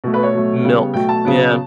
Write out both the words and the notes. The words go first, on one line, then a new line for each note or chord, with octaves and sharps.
Milk, yeah.
B2 A3
B4
C#5
B2 F#3 A3
C#3 G3 B3
B2 F#3 A3 G5
A5
C#3 F#3 B3